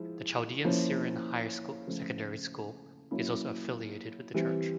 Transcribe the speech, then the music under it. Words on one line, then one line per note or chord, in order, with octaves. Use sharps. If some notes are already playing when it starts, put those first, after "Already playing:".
The Chaldean Syrian Higher Secondary School is also affiliated with the church.
Already playing: F3 G#3 E4
F3 A#3 C#4 E4
C#3 F3 A3
F#3 A#3 C#4 E4
E3 G3 C4